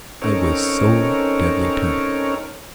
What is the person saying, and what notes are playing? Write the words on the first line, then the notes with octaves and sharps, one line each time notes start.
I was so deadly tired.
C4 C#4 D#4 A4 A#4 C#5